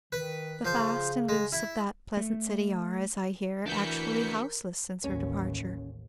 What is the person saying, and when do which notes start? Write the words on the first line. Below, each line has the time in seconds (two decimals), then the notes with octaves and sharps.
The fast and loose of that pleasant city are, as I hear, actually houseless since her departure.
0.12 D#3 B4
0.65 C#3 F3 C5
1.29 G#3
1.52 E4
2.17 A3
3.66 E3 D4 F#4 A#4 G6 B6 C#7
5.04 A1 D#2 C#4